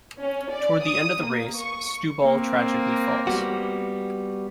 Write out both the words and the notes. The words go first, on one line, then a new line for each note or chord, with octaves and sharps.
Toward the end of the race, Stewball tragically falls.
C#4
D5
D#6
A#3
C#6
A#3 C4
G3 B3 F#4